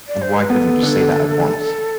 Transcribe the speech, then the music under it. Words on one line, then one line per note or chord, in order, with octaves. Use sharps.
And why couldn’t you say that at once?
D5
C5
B4
B3 A4
D3